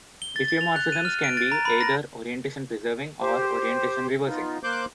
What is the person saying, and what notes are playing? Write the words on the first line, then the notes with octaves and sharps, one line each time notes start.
Diffeomorphisms can be either orientation preserving or orientation reversing.
G7
A6
A6
F7
F#6
D#7
F6
D7
A6
A#5
B5
A#6
G4 C5
B3 D#4 F4
A#3 C5 C6 D6 F#6 G6